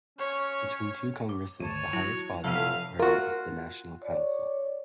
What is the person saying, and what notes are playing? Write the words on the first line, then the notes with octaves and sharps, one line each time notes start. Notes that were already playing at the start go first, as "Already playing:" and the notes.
Between two congresses the highest body of the party is the National Council.
C#4 C#5
D6
G#1 D2 C#5 A5 D#7
F#3 E4
F1 A4 E5 F5 D#7
F4 F#4 A#4
C#5 D5